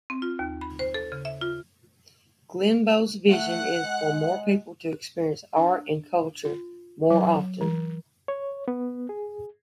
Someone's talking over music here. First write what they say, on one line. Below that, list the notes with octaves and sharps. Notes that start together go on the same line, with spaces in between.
Glenbow's vision is for more people to experience art and culture more often.
C4
F4
D#2
B5
C5
A4
C#3
E5
F4
A3 F#5 F#6
G#3
D4
F4
F#3
E3
C#5
B3
G#4